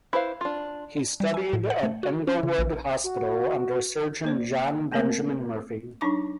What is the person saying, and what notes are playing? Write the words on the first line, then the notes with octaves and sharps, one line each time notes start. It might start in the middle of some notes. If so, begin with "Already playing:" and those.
He studied at Englewood Hospital under surgeon John Benjamin Murphy.
E4 B4 C5 F5
D4 F4
G3
G#5
A2
F#5
A3
F#4
C#4
C#3
A#1
F#4
A#3 C5 D5
A3 A#3 C4 A#4
F#3 D4 D#4 A5 C#6 D6